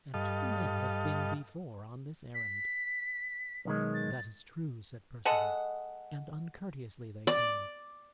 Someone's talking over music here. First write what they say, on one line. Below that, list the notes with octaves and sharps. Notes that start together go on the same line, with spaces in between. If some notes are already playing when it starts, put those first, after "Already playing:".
And two men have been before on this errand." "That is true," said Perceval; "and uncourteously they came.
G2 A4 D#5 F5
B6
B1 D#3 G#3
A6
G#3 A4 D#5 F#5
D5